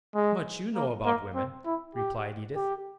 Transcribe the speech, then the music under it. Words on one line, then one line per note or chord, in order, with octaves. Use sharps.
"Much you know about women," replied Edith.
G#3
A#3
A#3
C4
E4
G4
G4